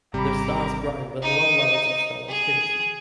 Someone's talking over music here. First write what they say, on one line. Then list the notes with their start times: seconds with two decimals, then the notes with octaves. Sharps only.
The star is bright with low levels of stellar activity.
0.14 G#1 C3 G3 A#5 B5 D6
1.22 D#4
2.29 G#4